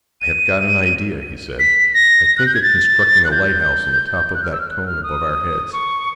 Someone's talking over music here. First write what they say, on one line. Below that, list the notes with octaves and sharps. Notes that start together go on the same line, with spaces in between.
"I have got an idea," he said; "I think of constructing a lighthouse on the top of that cone above our heads."
D#7
B6
A#6
F#6
G6
G#6
A6
F#6
G6
F#6
F6
E6
F6
F#6
F6
D#6
C#6